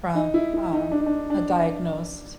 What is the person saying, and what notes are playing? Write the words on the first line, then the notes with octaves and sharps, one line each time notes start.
from, um, a diagnosed
D#4
E4
E4
D#4
D4
D#4
D4
D4